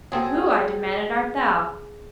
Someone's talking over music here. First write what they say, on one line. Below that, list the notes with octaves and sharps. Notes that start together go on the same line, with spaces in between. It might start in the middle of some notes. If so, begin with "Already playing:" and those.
"And who," I demanded, "art thou?"
F#3 C4 G#4 A4